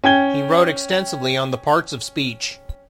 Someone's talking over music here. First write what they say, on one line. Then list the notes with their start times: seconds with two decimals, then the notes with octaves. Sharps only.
He wrote extensively on the parts of speech.
0.04 C#4 G5 G#6 G7